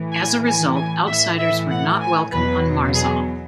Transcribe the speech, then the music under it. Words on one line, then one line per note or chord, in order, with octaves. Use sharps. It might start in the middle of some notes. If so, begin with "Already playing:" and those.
As a result, outsiders were not welcome on Marzal.
Already playing: A2 E3
G#5
G#5
G#5
A2 E3 E5
E5
F#5
G#5
E2 B2 F#3 B4
G#4